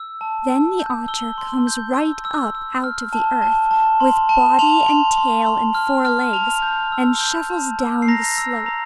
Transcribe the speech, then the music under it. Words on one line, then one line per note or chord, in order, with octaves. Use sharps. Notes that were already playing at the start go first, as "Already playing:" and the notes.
Then the otter comes right up out of the earth, with body and tail and four legs, and shuffles down the slope.
Already playing: E6
A5
E6
G6
E6 G7
C6
G6
E6
E6
E6
F6
A5
A5
A5
C6
A5
C6 F7
C6
C6
C6
F6
F6
A5 F7
G6
E6
G6
A5
E6
C7
A#5 A#6
E6
A#5